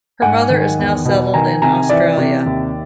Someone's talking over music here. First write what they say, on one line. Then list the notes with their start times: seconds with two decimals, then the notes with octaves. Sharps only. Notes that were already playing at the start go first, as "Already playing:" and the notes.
Her mother is now settled in Australia.
0.22 G#2 F#5 G#5
0.50 D#3
0.79 E2
1.05 B2
1.34 D#3 G#5 A#5
1.62 C3 G#5 A#5
1.89 E3 D5 E5
2.17 C3
2.46 D#2